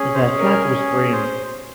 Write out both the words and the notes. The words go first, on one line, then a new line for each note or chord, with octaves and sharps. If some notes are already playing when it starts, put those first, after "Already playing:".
Their flag was green.
Already playing: C#4 G#4
C5
A#4
C5